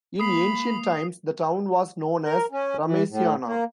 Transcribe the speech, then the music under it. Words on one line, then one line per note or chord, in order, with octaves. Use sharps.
In ancient times, the town was known as Remesiana.
A#3 B5 D#6 C7
A#4
C#4
E3
A2
A#3